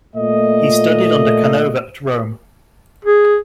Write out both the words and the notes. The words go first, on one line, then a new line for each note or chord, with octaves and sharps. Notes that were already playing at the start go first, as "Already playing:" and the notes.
He studied under Canova at Rome.
A#2 A3 D#5
G#4